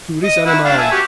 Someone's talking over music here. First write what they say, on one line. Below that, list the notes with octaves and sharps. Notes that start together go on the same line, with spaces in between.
Tu ris, animal?
D#5
E4 F#5
D4 F5 G5
E5 G#5 A5
F#4 G4